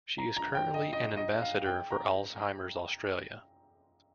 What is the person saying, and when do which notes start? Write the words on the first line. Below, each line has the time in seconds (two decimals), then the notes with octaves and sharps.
She is currently an ambassador for Alzheimer's Australia.
0.18 A#5
0.37 A#5
0.55 G5
0.74 D#5
0.93 D#5
1.17 D#5
1.42 F5
1.66 G5
1.91 A#5